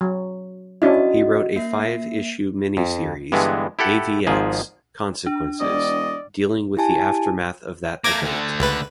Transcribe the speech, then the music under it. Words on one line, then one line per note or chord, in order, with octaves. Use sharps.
He wrote a five-issue miniseries "AvX: Consequences", dealing with the aftermath of that event.
F#3
C#4 D4 E4 F#4 D#5
A#3 E5 C7
F2
G2 D3 E3 G#3 B3
E4 G4 A4 F#5
G#1 G#2 F3 G#4
D4
E1 D5 D#5
E4 G4 G#5 A5
A3 A#3 D6 G#6 A#6
D2 D3
C#2 B4